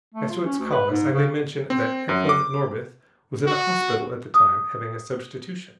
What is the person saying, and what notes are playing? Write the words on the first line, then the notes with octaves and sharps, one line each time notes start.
As to its cause, I may mention that Eklan Norbith was in a hospital at the time, having a substitution.
A3
F4
C#4
D2
B4
G#2
C#3
C4
F#2
D6
F#4
D#6